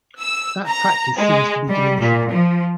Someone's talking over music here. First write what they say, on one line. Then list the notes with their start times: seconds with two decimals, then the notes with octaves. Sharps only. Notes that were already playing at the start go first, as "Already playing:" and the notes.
That practice seems to be diminishing.
0.20 E6
0.67 A#5
1.18 G#3
1.70 G3
2.01 A#2
2.32 F3